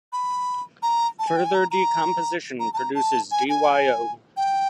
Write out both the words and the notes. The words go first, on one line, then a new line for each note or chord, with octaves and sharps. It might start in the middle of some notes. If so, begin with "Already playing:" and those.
Further decomposition produces DyO.
B5
A#5
A5
G#5
G5
G#5
A#5
A#5
A#5
A5
A#5
A5
G#5
G#5
G5